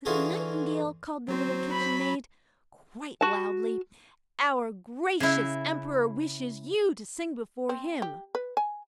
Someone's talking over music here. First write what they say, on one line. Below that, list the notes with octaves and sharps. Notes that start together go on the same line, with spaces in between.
"Little Nightingale!" called the little Kitchen-maid, quite loudly, "our gracious Emperor wishes you to sing before him."
D3 E3 F4 F#4 G#4
F#3 C4 F#4 C5
B5
F#4 A5
C#3 E4
C4
G4
B4
G#5